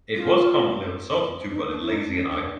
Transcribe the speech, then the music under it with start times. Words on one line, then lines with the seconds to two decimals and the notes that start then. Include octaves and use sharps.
It was commonly resorted to by the lazy and idle.
0.16 F4
1.49 D4
1.56 D#4
1.70 D4
1.81 E4
1.90 D#4
1.99 D4
2.12 C#4
2.31 D4